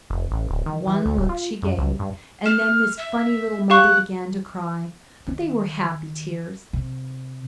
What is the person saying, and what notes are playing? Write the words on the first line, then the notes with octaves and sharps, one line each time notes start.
One look she gave, and then this funny little mother began to cry; but they were happy tears.
F1
A1
D1
D#3
E3
D2
D1
F4
F#2
C#2
G2
F6 E7
E5
G4 F5 C#6 F#6
D#3
C3